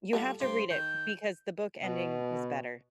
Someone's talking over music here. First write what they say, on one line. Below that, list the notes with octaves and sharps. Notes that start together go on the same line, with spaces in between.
you have to read it because the book ending was better.
G3 F4 G4 A4 F#5
G2 C3 G5 C6
D#3 G6
B2